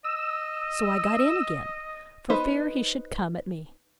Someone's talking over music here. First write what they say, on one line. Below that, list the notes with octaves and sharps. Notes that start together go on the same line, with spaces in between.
So I got in again, for fear he should come at me.
D#5 E6
B3 D#4 B4 C5